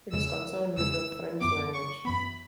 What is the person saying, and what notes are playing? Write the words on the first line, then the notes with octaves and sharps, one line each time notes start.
It is concerned with the French language.
E2 C#3 G#3 E6
E2 C#3 G#3 E6
F#2 E3 B3 D6
C#6
F#2 E3 B3 B5